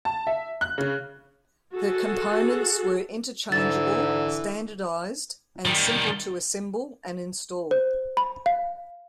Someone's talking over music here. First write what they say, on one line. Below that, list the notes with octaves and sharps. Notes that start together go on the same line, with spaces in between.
The components were interchangeable, standardized, and simple to assemble and install.
A5
E5
F#6
C#3
F#4 G#4 A4
G#2 D3 E3 E6 A6
D#3 G3
C5
B5
F5